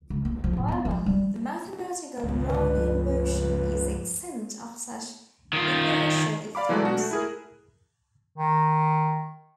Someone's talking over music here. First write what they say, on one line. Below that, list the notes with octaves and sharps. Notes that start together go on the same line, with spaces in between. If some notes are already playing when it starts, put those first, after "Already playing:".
However the mathematical "Brownian motion" is exempt of such inertial effects.
C#2
A#3
F3
A2
B3
F3
G3
G#1 C#2 B3
G#2 D3 B4
G2 F3 A3
D#3 F4
D5 F5 B5 D6
E3 F#3 G#3 A3 D5 F#6
B2 D4 F#4
A3
E4 G#4 A#4
D#3